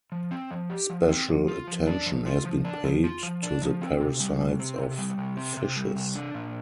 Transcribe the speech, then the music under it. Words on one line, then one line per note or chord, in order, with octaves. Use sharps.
Special attention has been paid to the parasites of fishes.
F3
C4
F3
G4
F3
C4
F3
F4
F3
D4
F3
F4
F3
D4
F3
F4
F3
D4
F3
C4
C3
G3
C3
C4
C3
G3
C3
C4
C3
G3
C3
D4
A#2